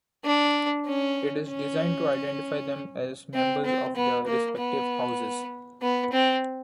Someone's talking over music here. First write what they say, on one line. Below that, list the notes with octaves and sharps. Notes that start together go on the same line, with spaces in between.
It is designed to identify them as members of their respective houses.
D4
C#4
C#4
C4
C4
B3
A#3
B3
B3
C4